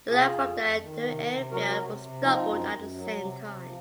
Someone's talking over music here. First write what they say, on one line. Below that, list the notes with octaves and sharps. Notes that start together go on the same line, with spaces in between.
The line from there to Enfield was doubled at the same time.
C3 F4 G#4
F2
F2
D#3
C3
C3
F#3 F#4 A#4
F#4 A#4
C3
C4
C3
F3 C4 D#4
F#2
F#2
F#3
C3
C3
F3